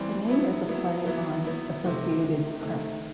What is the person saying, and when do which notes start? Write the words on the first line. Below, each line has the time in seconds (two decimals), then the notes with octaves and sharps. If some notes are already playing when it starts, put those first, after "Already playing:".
The name is a play on "Associated Press".
Already playing: E3 G3 C4
0.28 F#3 B3 E4
0.67 F#3 B3 E4
1.06 F#3 B3 E4
1.45 F#3 B3 E4
1.84 C3 D#3 A3
2.22 C3 D#3 A3
2.60 C3 D#3 A3